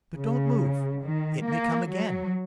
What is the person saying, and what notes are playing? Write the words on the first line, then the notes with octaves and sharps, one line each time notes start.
But don't move; it may come again.'
C#3
D#3
A#3
F#3